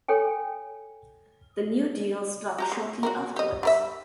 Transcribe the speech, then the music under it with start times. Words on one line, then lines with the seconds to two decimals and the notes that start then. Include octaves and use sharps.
"The New Deal" stuck shortly afterwards.
0.08 A4 C#5 G5 G#5
2.58 F#4 G4 A#5
2.72 G#3
3.03 F#4 G4 A#4
3.36 G4 D#5
3.63 G3 A#4 E5